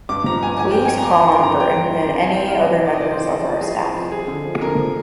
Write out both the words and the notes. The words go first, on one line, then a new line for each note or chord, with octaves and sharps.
Please call on Burton and any other members of our staff.
G2 D6
F3 A#5
G2 G#5
F3 G#5
F3 G5
G#5
F3 A#5
D6
F3 C6
F3 C6
G2 A#5
G2 G5
F3
F3
C3
C2 G#5
G5
C2 F5
C3 D#5
F3
D5
C2 D#5
D5
C2 C5
C2
F3
F3 G#4
C2
F3
F3 G#4
D3
F3
D3 A#4
F3